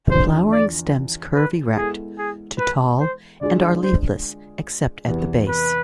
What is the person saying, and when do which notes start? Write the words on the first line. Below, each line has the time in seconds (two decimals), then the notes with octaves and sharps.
The flowering stems curve erect, to tall, and are leafless except at the base.
0.11 E2 D3 F3 C5
0.52 D5
1.35 B4
1.76 G#3 B3 E4 G#4 A4
2.18 G#4
2.58 B4
3.00 C5
3.41 D3 G#3 D4 F4 G#4 D5
3.83 C5
5.06 E2 C3 E3 B3
5.47 B4